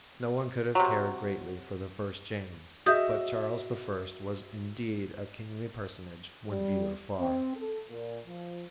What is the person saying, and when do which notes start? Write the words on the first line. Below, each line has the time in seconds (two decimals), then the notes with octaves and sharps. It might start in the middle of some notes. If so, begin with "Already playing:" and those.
No one could have cared greatly for the first James, but Charles I. was indeed a kingly personage when viewed afar.
0.75 C3 F#3
2.86 F#4 G#4 D#5 E5 D#6 G6
6.50 G3
7.20 C4
7.56 A4
7.89 A#2
8.26 F3